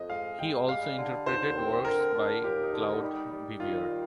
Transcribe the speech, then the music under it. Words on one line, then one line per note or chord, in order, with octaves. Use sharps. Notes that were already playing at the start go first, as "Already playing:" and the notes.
He also interpreted works by Claude Vivier.
Already playing: F2 D#5
G#3 F5
G#3 G5
G3 F5
D3
D#2 C5
C4
D3 A#4
D3
D#2 G4
D#4
D3
D#4
G3 D#4
G3
D#3 F4
G3